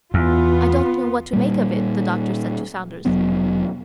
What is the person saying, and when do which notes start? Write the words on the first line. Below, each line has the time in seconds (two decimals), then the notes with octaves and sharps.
"I don't know what to make of it," the doctor said to Saunders.
0.14 E2 B3 F4
1.33 A#2 G3
3.06 F1 F#3 B3